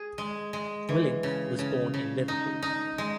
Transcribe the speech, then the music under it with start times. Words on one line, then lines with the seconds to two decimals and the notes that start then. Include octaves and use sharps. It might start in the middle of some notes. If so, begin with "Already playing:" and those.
Willink was born in Liverpool.
Already playing: G#4
0.18 G#3
0.53 G#3
0.89 E3
1.23 C#3
1.59 C#3
1.94 C#3
2.28 D#4
2.62 D#4
2.98 G#3